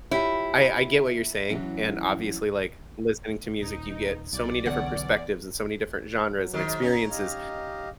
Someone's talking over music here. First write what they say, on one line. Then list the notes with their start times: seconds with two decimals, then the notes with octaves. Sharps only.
I I get what you're saying, and obviously, like, listening to music, you get so many different perspectives and so many different genres and experiences,
0.11 E4 F4 G4 C#5
1.50 E3 F#3 C#4
3.61 D#1 D#4
4.33 B1 D5
4.66 E2 D3 C#4 F#5
6.34 F#3
6.54 G#2 D#3
6.82 C#4 D#4
7.10 G4 D#5 F5